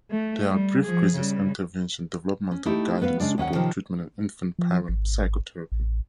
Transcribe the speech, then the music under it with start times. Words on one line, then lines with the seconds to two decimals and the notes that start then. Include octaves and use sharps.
They are brief crisis intervention, developmental guidance-support treatment, and infant-parent psychotherapy.
0.11 A3
0.52 G3
0.83 F3 G#4
1.16 C#3 G3
2.51 C#4
2.65 A3 D#4 E4 G4
3.02 B3 B4 D#5 F5
3.20 C#3 G#3 D4
3.38 D#2 C#4 F5 F#5
3.54 C3 D#3 F3 C#5
4.59 F3
4.89 G#1
5.72 A1